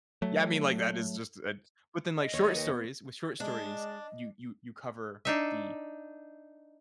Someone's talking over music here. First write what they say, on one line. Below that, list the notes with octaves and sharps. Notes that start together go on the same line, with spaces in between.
Yeah, I mean like that is just, eh but then, like, short stories with short stories, you you you cover the,
F#3 A3
D#5
D#2 D#4 C#5
A#4 B4 G5
B3
G#3 D4 D5 D#5
D4 D#4 E5